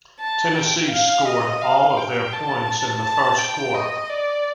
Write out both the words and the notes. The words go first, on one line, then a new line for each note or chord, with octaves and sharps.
Tennessee scored all of their points in the first quarter.
A5
G5
F5
D#5
F5
G5
A5
A5
G5
D#5
D5